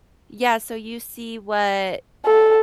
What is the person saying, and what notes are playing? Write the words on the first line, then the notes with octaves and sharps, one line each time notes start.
Yeah, so you see what
A4